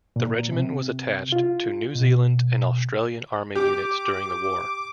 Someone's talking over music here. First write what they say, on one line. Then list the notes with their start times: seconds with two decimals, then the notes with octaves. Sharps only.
The regiment was attached to New Zealand and Australian army units during the war.
0.16 A#2
0.51 C3
1.32 F4
1.95 B2
3.55 G4 D6